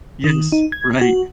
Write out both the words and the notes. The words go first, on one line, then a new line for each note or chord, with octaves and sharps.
Yes, right.
D#3
D#4
G#6
F#4